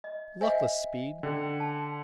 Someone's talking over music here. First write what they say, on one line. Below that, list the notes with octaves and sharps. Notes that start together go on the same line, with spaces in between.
Luckless speed!
D#5
C5 D#5 E5 G#5
D3 C#4 G5
A5